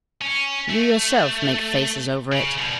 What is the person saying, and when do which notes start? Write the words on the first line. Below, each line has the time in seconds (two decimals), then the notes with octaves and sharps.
You yourself make faces over it.
0.22 C#4
0.69 A3
2.32 C#3
2.58 B2 G3